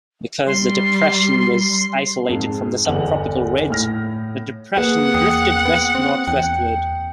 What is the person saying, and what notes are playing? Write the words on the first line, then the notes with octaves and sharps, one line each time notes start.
Because the depression was isolated from the subtropical ridge, the depression drifted west-northwestward.
G3 C6
F2 G#2
G1 E2 D#5 F#5 F#7
A2 F6 A#6
A#3 G#4 B4 F#5
E2 G5 D#6 C7
B3
C4
E2 G5